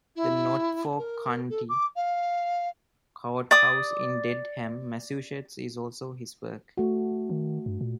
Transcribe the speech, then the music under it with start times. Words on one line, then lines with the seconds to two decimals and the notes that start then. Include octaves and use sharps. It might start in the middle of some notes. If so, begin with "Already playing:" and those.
The Norfolk County Courthouse in Dedham, Massachusetts is also his work.
0.15 E4
0.98 A#4
1.49 A4
1.69 D6
1.95 F5
3.51 D5 D6 D#6
6.77 A3 F#4
7.30 D#3
7.66 G2
7.81 A#2